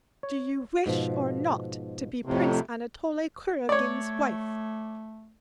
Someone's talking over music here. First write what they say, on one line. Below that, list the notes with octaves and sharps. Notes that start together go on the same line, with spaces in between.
Do you wish or not to be Prince Anatole Kuragin's wife?
C#5
G#2 B2 F3
F2 A2 C3
A3 C#5 D5